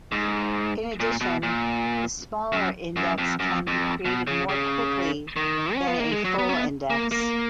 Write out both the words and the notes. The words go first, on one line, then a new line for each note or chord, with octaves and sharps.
In addition, the smaller index can be created more quickly than a full index.
G#2
A#2
B2
A#2
F#2
F#2
F2
F#2
F2
F2
B2
C#3
C#3
D#3
C#4
B3
A#3
G#3
F#3
B3
C#4
B3
A#3
A#3